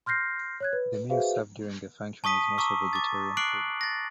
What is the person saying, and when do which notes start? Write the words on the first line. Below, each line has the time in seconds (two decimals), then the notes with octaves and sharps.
The meal served during the function is mostly vegetarian food.
0.06 C6 F6 G6 A#6 C7
0.60 C#5 F#6 G#6
0.73 B4
1.10 F#4 G#4 B4 C5 E5 F5
2.24 A5 C#6 D#6 B6 D#7
2.58 A#5 C#6 D6 E6
2.93 D6 A6
3.37 D6 F#6 C7 D7 F#7
3.81 A6 A#6